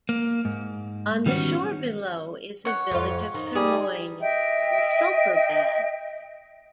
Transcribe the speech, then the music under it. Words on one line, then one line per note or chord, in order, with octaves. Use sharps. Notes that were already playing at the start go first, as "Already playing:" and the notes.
On the shore below is the village of Sirmione, with sulfur baths.
A#3
G#2
D#3 G3 B3 C#4 F#4
C#5 F#5
F2 F4
D#3
G3 G#4
D#5 E5 G5